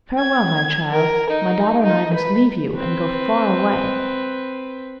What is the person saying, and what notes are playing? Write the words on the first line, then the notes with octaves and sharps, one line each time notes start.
'Farewell, my child; my daughter and I must leave you and go far away.'
G#6
A#4
D#4
D#4
B4
C4 B4